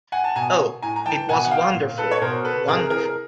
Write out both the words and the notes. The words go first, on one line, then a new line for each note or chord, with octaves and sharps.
Oh, it was wonderful — wonderful.
F#5 G#5
A5
B2 G#5 A#5
A2 G#5 A#5
A#5
E3 G5 A5
B2 F#5 G#5
F#5
F5 G5
A#2
A4 B4
C#5
B2 A#4 C5
A4 B4
C3 G#4 A#4
E3 G#4 A#4